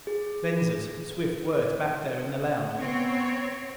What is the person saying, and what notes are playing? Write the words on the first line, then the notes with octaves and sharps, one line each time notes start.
Venza's swift words back there in the lounge.
G#4
B3 C4 C#5